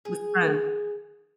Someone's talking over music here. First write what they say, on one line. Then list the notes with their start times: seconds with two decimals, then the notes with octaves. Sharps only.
with friends.
0.05 G#4